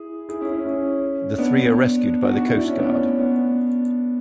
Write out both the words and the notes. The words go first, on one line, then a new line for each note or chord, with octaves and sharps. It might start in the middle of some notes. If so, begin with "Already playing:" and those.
The three are rescued by the coast guard.
Already playing: E4 G#4
E4 G#4
C#4 E4
C#4
C#4
B3 D4
D4 F#4
D4 F#4
E4
D4
C#4
B3 D4
C#4
B3 D4